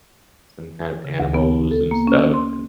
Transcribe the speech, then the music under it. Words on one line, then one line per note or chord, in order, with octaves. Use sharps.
some kind of animals and stuff and
C#3
D2
B3
A4
A#3
C#4
C6